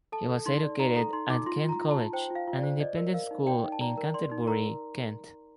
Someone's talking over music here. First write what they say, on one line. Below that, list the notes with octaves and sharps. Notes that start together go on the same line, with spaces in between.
He was educated at Kent College, an independent school in Canterbury, Kent.
A4 A5
A4
D#4 C6
D5
D#4 A#5
A4 A#5
D#4 C6
D#4 D6
F4 C6
F4
A#5
F4
A5
F4
C5 G5
F4
F5
F4
D5
C5
D5 D#5
A#4
A#4 F5
D#4
D5 G5
D#4
A5
D5 A#5
A#4
D5 C6
D#4
A#4 A#5